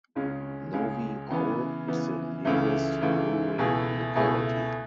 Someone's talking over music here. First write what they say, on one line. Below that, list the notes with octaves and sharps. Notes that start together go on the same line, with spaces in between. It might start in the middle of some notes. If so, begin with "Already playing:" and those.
Novy Aul is the nearest rural locality.
C#2 C#3 G#3 C#4
C#2 C#3 G#3 C#4
C#3 E3 B3
C#3 E3 B3
C#2 C#3 E3 A3
C#2 C#3 E3 A3
C#2 B2 A3 E4 G#4
C#2 B2 A3 E4 G#4